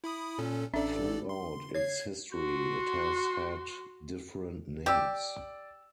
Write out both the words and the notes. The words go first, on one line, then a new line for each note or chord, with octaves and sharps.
Throughout its history it has had different names.
E4 B5 D#6
A#2 C#4 A4
A1 C#4 D4 A4 D5 E5
C6
C#5 G#6 C7
F#4 C6
G4 D5 E6